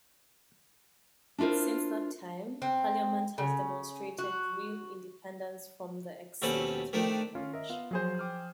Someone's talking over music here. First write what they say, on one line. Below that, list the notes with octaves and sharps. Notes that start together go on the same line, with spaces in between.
Since that time, Parliament has demonstrated real independence from the executive branch.
D4 E4 F4 A#4 C5
C4
C#3
F#4
D#2 B2 C4 C#4 A4 B5
D#3 A3 C4 D4
C#4 F4 F5
A#4 D#5 E5
B3 F4 F5
F3 F#3 G#4 C5
G5 D6 F6